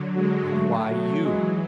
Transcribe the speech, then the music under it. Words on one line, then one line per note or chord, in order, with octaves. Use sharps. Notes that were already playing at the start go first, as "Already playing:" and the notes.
"And why YOU?"
Already playing: D3 F#3
G#3 F#4
F#3 A3
F#4
E3 G#3